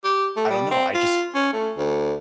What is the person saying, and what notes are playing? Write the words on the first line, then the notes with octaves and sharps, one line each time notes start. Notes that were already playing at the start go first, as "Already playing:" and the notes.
I don't know, I just
G4
A3
G3
C4
F4
C#4
A3
D2